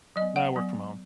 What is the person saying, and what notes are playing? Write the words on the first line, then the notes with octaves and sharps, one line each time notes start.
No, I work from home.
F#3 D#5
B3
F#5
F#3 B3